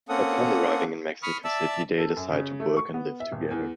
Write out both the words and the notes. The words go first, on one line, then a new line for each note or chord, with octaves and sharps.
Upon arriving in Mexico City they decide to work and live together.
A#3 C4 C#4 A4 F#5 D#6
B5 C#6 D#6 F6
D5 E5 A5 E6
A4
F#2
C#3
A3
C#6
B3
E5
D#1
E2